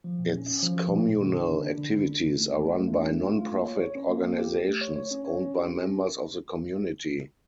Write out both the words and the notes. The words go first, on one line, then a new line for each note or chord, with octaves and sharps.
Its communal activities are run by non-profit organizations owned by members of the community.
F3
A#2
C#4
C#4
F3
F3
A#2
A#2
D3
D4
D3
D4
D3
D3
D4
D3
A3
A3
F4
A3
D4
A3
F4
F4
A#3
C#5
C#5
C#4
A#3
A#3
G4
G4
A3
C#5
C#5
C#4
C#5
C#4
G4
G4
C#4